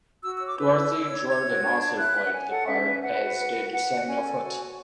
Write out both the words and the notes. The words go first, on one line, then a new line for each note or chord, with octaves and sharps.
Dorothea Jordan also played the part as did Samuel Foote.
F#4 E6
C#5 E6
D6
B4 E6
E4
E4
C#5
C#5 G#6
F#4
D4
C#5
E4 F#6
B4 E5
F#5
C#5 G#5
A4 F#5
C#4 E5
B4
B4 F#5
F#4
B4
F#4
B4 F#5
F#4
C#4 G#5
A4
F#4
C#5